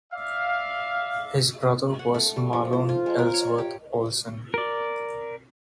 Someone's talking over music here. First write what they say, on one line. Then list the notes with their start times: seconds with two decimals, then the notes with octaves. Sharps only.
His brother was Mahlon Ellsworth Olsen.
0.13 D5 E5 F5
1.99 F#5
2.14 A3
2.36 G3
2.53 F3
2.73 C5
2.89 F4
3.06 G#3
3.18 A#4
3.34 C#5
3.58 G4
4.54 A#4 D5